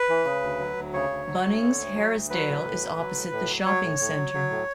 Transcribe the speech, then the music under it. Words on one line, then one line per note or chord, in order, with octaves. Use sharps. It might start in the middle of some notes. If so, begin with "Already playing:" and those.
Bunnings Harrisdale is opposite the shopping centre.
Already playing: B4
E3
C#3
D2
F#3
D2
C#3 C#5
D2
F#3
D2
D3
D2
F#3
D2
F#3 B4
A2
A2
F#3
F#3
A2
A2
F#3
F#3 C#5
A2
A2
F#3
F#3
A2